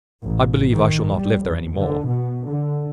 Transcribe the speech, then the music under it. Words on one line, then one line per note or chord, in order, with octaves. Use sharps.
I believe I shall not live there any more.'
A1
D#3
G3
F2
D3
B2
D3